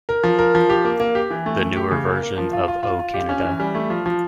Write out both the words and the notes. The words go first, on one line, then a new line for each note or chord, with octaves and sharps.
The newer version of O Canada!
A#4
F3
A#4
F3
G4
A#3
A#3
G4
E3
A3
A3
G4
C#3
A#3
A#3
F3
F4
F4
F4
F4
G4
C#4
E3
G3
A3
F3
F3